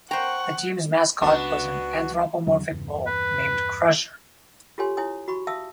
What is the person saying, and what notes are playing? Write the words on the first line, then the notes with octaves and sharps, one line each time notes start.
The team's mascot was an anthropomorphic bull named Crusher.
C5 F#5 G5 A#5 C#6
C#2 B3 D4 F4 F#4
E2 D3 F#3
E2 G2
B4
F4 G4 A4 C#5 G#5 C6
E4 C#5 G#5 D#6
F#4 B5 C#6
E5 F5 A5 D#6 E6